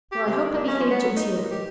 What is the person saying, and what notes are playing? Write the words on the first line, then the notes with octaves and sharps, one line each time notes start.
"Well, I hope I behave genteely?"
G4
C3
D#3
D4
C#4
F3
B3
F#3
D#4
A#2
G4